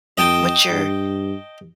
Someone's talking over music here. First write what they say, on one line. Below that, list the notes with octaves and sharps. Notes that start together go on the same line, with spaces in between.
What's your,
F2 D#5 G5 A5
G2